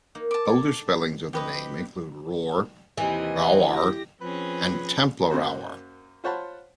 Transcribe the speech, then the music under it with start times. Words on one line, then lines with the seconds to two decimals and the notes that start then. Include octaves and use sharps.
Older spellings of the name include "Roar", "Rowar" and "Tamplerowar".
0.15 A#3 D#4
0.31 A5 D6
0.45 A4 G#5
1.33 F2 G4 B4 C#5 D#5
2.98 D#2 C3 E3 D#5
3.73 G4 A#6
4.21 F3 C4 C#4 G#4 B4
5.31 F#2 A#3 F#4 C5
6.24 F4 C5 C#5 F#5 A5 B5